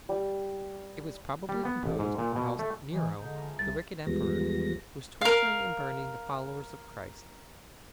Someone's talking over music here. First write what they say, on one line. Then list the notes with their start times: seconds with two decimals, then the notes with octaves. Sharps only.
It was probably composed whilst Nero, the wicked Emperor, was torturing and burning the followers of Christ.
0.09 G3
1.49 G3
1.65 B3
1.84 A1
1.99 G#2
2.18 A#2
2.36 B2
2.59 A3
2.91 E3 G#3 D#4 G#4
3.21 D3 D#4
3.33 E3 F3 A#5
3.59 C2 A6
4.07 E2 F3 G3 G#3 B3 A#6
5.21 A#4 F5